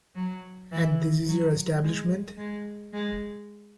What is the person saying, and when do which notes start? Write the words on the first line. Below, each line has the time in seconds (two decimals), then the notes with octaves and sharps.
And this is your establishment?
0.15 F#3
0.71 E3
1.26 F#3
1.82 G#3
2.37 G#3
2.93 G#3